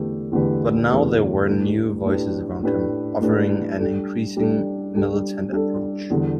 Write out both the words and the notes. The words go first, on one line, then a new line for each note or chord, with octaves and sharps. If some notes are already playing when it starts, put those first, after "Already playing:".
But now there were new voices around him, offering an increasing militant approach.
Already playing: E2 D3 A3 G4 B4
E2 D3 A3 G4 B4
E2 D3 A3 G4 B4
A2 A3 D4 G4 B4
A2 A3 D4 G4 B4
A2 A3 D4 G4 B4
A2 A3 D4 G4 B4
G3 D4 A4
G3 D4 A4
G3 D4 A4
G3 D4 A4
E2 D3 G3